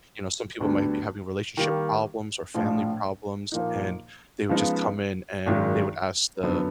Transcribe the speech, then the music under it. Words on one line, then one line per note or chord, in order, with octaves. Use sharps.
you know, some people might be having relationship problems or family problems, and they would just come in, and they would ask the
D2 D3 G3 B3
D#3 G3 A#3
A#1 A2 F3
A#2 F3 A#3 D#4
C#3 F3 G#3 B3 D#4
G#1 F#2 D#3 G#3
F#2 D3 F#3 B3 D#4